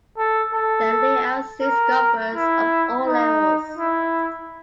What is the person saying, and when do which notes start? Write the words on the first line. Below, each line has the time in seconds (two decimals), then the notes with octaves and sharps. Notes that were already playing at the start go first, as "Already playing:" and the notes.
The layout suits golfers of all levels.
0.18 A4
0.53 A4
1.61 A#4
2.34 E4
3.05 D#4
3.77 E4